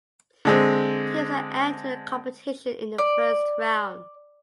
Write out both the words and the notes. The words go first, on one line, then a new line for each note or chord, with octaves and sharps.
Teams that entered the competition in the first round.
D3 G#3 C4
D5